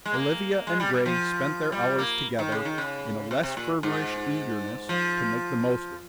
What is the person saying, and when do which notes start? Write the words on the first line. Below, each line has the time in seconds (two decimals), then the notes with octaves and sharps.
Olivia and Grey spent their hours together in a less feverish eagerness to make the most of them.
0.05 G#3
0.14 A#3
0.67 G#3
0.80 G3
0.93 G3
1.06 F3
1.72 G3
1.98 A#3
2.39 D#3
2.52 C#3
2.65 D#3
2.78 C#3
3.31 C3
3.43 C3
3.57 A#2
3.83 G#2
4.89 F3